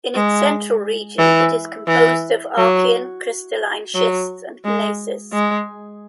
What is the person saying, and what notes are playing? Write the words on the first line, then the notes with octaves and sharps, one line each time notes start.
In its central region it is composed of Archean crystalline schists and gneisses.
G#3
E3
E3
F#3
F#3
G#3
G#3